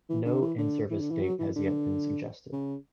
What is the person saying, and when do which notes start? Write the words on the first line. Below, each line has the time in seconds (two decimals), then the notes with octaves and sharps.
No in-service date has yet been suggested.
0.09 E3
0.26 D3
0.42 E3
0.58 D3
0.90 E3
1.01 D3
1.11 E3
1.22 F#3
1.39 E3
1.56 D3
2.52 C#3